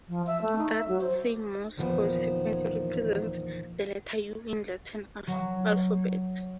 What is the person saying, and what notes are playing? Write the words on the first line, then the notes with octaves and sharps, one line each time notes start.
That same Morse code sequence represents the letter U in the Latin alphabet.
F3
E5
A3
D#4
E5
F#3
C5
E2 A#2 D#3 F3 B3
F#3